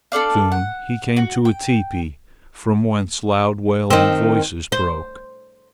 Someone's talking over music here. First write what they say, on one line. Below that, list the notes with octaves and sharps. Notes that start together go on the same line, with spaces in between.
Soon he came to a teepee from whence loud wailing voices broke.
D4 A4 D5 F5
F#5
F#4
G5
D#3 C4
C5